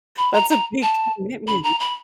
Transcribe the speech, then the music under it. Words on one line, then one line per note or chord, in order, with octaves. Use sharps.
That's a big commitment.
B5
A#5
A#5
A5
B5
A#5
B5